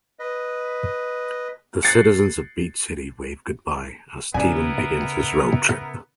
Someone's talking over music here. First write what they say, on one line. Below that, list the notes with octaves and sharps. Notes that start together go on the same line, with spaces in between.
The citizens of Beach City wave goodbye as Steven begins his road trip.
B4 D#5
F#6 G#6 A6 C7 C#7
C#3 B3 E4 A#4 D5 G#5